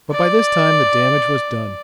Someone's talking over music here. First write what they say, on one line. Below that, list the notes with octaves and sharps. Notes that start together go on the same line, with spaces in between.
But by this time the damage was done.
D5